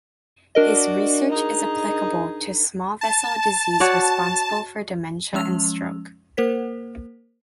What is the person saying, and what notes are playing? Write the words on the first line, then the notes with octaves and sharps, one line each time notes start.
His research is applicable to small vessel disease responsible for dementia and stroke.
D4 F#4 A#4 D5 D#5
D#4 G#4
A5
F#4 C#5 D5
F3 G#3 C#4 E6 F7
A#3 A#4 C5 B6